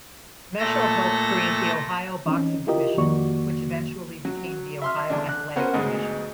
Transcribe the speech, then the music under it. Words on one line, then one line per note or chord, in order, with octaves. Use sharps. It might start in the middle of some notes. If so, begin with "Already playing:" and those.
Meshel helped create the Ohio Boxing Commission, which eventually became the Ohio Athletic Commission.
A#2 A3 A4 A#6
E3 C4 C#4 D#4
E4 F4 G4 A#4 D#5
F2 D#3 A#3 F#4 D5 C#6
F#3
E5 C6 F6
E2 D3 D4
F#6
B3 C#4 F#4 A#4 C5 F#5
D2 G#2 G#3 B3